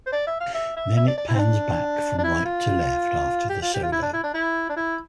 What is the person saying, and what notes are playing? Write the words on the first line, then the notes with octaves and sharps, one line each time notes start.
Then it pans back from right to left after the solo.
C5
D5
E5
F5
E5
E5
E5
D5
D5
E4
C4
D4
D4
E4
F4
G4
F4
G4
F4
E4
D4
E4
D4
E4
D4
E4